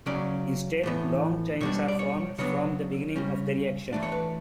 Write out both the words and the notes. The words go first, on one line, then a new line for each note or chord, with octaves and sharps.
Instead long chains are formed from the beginning of the reaction.
C#3 F#3 C#4 D5
A2 E3 B3
B2 G3 D4 C#5
D5
C#5
C#3 F#3 B3 D4 C#5
C#3 G3 C#4
E3 A3 D4 D5
C#5
B4